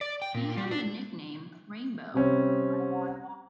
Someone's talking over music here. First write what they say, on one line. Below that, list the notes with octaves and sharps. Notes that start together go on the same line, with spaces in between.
He had the nickname "Rainbow".
D5
G5
A#2
G3
D4
C3 G3 C4 C#4